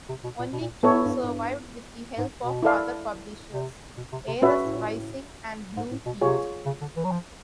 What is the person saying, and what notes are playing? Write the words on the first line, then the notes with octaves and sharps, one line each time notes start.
Only two survived with the help of other publishers: "Ares Rising" and "Blue Heat".
C3
B2
A#2
B2
A#2
A2 B3 E4 A4 C#5
G2
G#2
G2
G#2
B2
E4 A4 D5 F5
C3
B2
C3
C3
A#2 C#4 F#4 B4 E5
A2
A#2
A2
G#2
A2
B2
C3 F4 G#4 C#5
C#3
D3
E3
F#3
F3